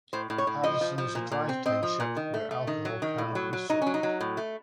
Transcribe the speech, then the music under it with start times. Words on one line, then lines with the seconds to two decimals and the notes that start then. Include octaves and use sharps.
Harrison is a dry township where alcohol cannot be sold.
0.13 A2 C5
0.30 A2
0.38 C#5
0.47 A2
0.63 F3 D#5
0.81 F3
0.98 F3
1.15 A#2
1.32 A#2
1.49 C4
1.66 C4 D#5
1.83 F3
2.00 A#2
2.16 D#3
2.34 A3
2.51 A3
2.67 D#3
2.85 F#3
3.02 D#3
3.18 A2
3.35 F#3
3.53 F#3
3.69 F#3 D#4
3.82 F#3 C#4
3.94 D#4
4.03 F#3
4.21 A2
4.37 A3